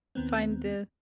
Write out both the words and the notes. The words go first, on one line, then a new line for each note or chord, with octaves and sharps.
find the
D#2 D#3 B3 C4